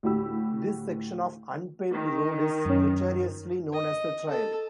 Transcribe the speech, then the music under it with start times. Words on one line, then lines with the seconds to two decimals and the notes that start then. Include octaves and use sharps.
This section of unpaved road is notoriously known as the trail.
0.03 D2 A2 F#4 G4 B5 E6
1.92 D#3
2.66 F#2 C#4
3.73 D#5
4.30 A4